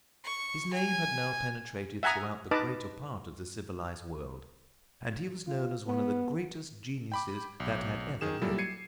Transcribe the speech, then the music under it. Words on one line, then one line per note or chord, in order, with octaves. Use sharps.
His name had now penetrated throughout the greater part of the civilized world and he was known as one of the greatest geniuses that had ever lived.
C#6
G#5
E5 F#5 G#5 A#5 D#6
D#4 B4 D#5 A5 D6
F4
B3
G5 B5 D6
B1
D#3 G#4 E7
A#2 F#3 G3 E4 A4
G#6 C7 C#7 D#7